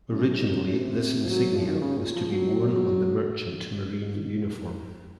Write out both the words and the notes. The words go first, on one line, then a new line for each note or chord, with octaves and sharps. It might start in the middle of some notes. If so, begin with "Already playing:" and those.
Originally, this insignia was to be worn on the merchant marine uniform.
F#2
F#2
G#2
F#2
C3
F3
F#3
F3
D#3
C#3
A#2
F3
F#3